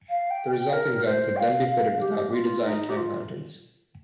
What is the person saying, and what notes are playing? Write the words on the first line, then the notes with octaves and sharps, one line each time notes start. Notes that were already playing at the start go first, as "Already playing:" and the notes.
The resulting gun could then be fitted without redesigned tank mountings.
F5
G5
G5
A#4
C5
G5
F5
F5
G4
F4
D#4
G4
F4